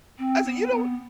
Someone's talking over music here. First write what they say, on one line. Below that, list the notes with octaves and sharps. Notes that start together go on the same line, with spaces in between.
said, "You don't"
C4
B3
B3